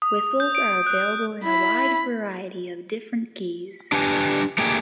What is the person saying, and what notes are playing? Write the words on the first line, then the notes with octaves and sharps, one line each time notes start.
Whistles are available in a wide variety of different keys.
D#6
G6
D7
F#6
E4 B5
D4 G4 B4 G5 G#5
A3 A#3 G4 G#4